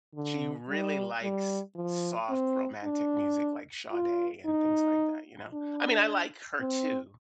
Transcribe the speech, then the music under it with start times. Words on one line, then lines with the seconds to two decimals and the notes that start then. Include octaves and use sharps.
she really likes soft, romantic music like Sade and things like that, you know. I mean, I like her too,
0.15 D3
0.69 G3
1.23 G3
1.76 F3
2.30 C4
2.84 D4
3.92 F4
4.46 D#4
5.53 D4
6.60 C4